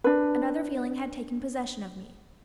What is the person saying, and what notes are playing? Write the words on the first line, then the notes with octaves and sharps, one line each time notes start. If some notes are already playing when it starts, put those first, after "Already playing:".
Another feeling had taken possession of me.
D4 B4